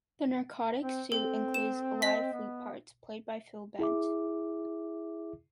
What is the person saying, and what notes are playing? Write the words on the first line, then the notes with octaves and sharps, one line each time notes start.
"The Narcotic Suite" includes live flute parts, played by Phil Bent.
C4
C4 A4
E7
D#5 B6
B3
E4 G#4 E5 D6